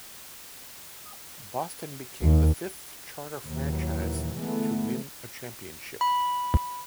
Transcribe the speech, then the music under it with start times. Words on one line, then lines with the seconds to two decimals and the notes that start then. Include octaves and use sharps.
Boston became the fifth charter franchise to win a championship.
2.22 D#2
3.47 D#2 A#2 E3 F#3
4.37 D3 E3 G#3 A3 B3
6.01 B5